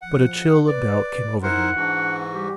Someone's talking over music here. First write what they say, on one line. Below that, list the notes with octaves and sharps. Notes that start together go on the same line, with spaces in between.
But a chill of doubt came over him.
F3 F#5
B4 D5
D#4 E4 A#4 C5 F#5
G#2 E3 D4 F#4
G3 G4